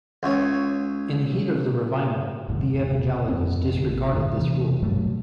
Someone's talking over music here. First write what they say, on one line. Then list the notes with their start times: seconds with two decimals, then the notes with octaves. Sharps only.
In the heat of the revival, the evangelicals disregarded this rule.
0.23 C#2 C#5
2.48 G1 E2 A2 D3
3.29 F2 C4
3.73 A1 D3
4.13 E2 A#2 D3 D4
4.37 C3 E3
4.82 G2 B2 F#3 A3